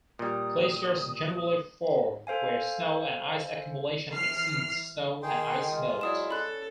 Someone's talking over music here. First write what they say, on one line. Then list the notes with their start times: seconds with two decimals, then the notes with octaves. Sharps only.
Glaciers generally form where snow and ice accumulation exceeds snow and ice melt.
0.19 A#2 G3 D#6
2.27 A4 C5 F5 G#5
4.12 E3 F6 C7
5.23 D#3 G#4 G5 C6
5.71 G#3 F4
6.01 F#3 E4 D5 D#6 E7
6.31 C#4 A4 B5 F#6